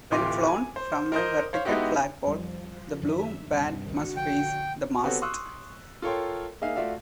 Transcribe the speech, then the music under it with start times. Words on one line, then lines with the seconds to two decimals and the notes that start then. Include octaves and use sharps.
When flown from a vertical flagpole, the blue band must face the mast.
0.11 D1 E3 F4 G4 C6 D6
0.47 G#5
0.76 C5
1.12 A#4 C5 D#5 G6
1.53 C5 C#5 F5
1.65 G#3 B3 D#4 E4 F#4 G4
2.26 F2 F3 G3
3.02 F#2 D#3 F#3 E5
3.47 D#1 C2 G2 C3
3.87 A1 D2 D3 D#3 F#4 C#7
4.16 A#1 G5
5.04 B3 C4 F#4 G4 A4 C#5
5.22 C6 C#6 D#6 E6 F#6
6.02 F4 A4 A#4 C#5 G5 C6
6.61 A#3 D#4 G#4 E5 F5
6.76 A3 F4 F#4 D5 E5 F5